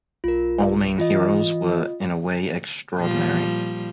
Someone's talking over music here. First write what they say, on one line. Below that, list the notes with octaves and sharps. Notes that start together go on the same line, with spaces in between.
All main heroes were in a way extraordinary.
B1 F4 A#4
E3 F4 D#5
A#2 F3 G3